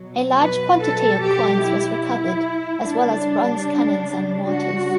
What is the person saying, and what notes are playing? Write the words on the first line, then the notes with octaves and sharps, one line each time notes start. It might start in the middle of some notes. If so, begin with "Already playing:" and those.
A large quantity of coins was recovered, as well as bronze cannons and mortars.
Already playing: B2 F#3
B4
A4
G4
E4
C#3 G3 D4
F#4